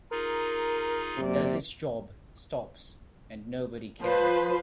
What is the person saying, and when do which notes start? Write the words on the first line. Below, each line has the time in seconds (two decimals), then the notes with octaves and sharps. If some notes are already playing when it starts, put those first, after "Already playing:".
It does its job, stops, and nobody cares.
0.11 D#4 F4 G#4 A#4
1.17 F#2 C3 A#3 D5
4.02 F3 B4 C5